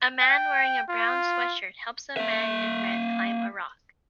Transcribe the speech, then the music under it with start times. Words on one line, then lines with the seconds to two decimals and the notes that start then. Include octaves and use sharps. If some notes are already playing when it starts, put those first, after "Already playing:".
A man wearing a brown sweatshirt helps a man in red climb a rock.
0.22 G5
0.89 F4
2.17 A#3 E5